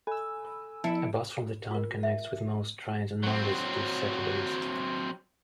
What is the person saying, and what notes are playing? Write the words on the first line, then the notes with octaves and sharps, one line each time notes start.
A bus from the town connects with most trains on Mondays to Saturdays.
A4 G#5 B5 E6
F3 E4 A5 C#7 D7
F4 A#4
E5
F#3 C4